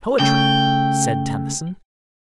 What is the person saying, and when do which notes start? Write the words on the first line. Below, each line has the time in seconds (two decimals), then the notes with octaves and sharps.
"Poetry," said Tennyson.
0.20 C#3 A3 G5